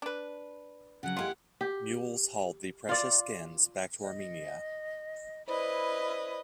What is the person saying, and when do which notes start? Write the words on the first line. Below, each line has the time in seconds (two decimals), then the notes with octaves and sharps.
Mules hauled the precious skins back to Armenia.
0.02 D4 B4
1.03 C#3 F#3 F#5
1.17 G#3 A#3 E4 F4 G4
1.61 G4
2.89 F4 D5
4.01 D#5
5.48 E4 B4 C5 D5 D#5 B5